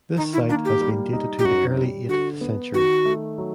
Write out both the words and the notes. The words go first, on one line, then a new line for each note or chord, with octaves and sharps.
This site has been dated to the early eighth century.
D#3 D#4
E4
A#3 D4
G4
G3
D#4
G4
F#2 F#4
G3
D3 F#4
B3
D#3 F#4
A3
F#3